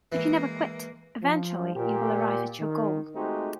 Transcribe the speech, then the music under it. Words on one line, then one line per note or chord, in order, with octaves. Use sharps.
If you never quit, eventually you will arrive at your goal.
E3 G#3 A#3
F3
A#2 G4
D#3
G#3 A3 C4 D#4 F#4 G4